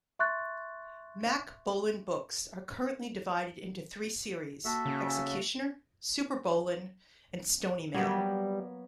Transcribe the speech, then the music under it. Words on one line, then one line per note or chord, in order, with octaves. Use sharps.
Mack Bolan books are currently divided into three series: Executioner, SuperBolan, and Stony Man.
E5 C6 C#6 F#6 A6
A#3 F#4 A4 E5 A5
C#3
F#3 G3 A#3 B3